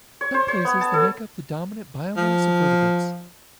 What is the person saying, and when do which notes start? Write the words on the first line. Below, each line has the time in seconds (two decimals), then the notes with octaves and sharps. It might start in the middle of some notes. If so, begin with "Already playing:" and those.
In some places, they make up the dominant biomass of vertebrates.
0.21 C#5
0.34 C5
0.48 C#5
0.65 B3
0.81 A5
0.94 A4
2.17 F3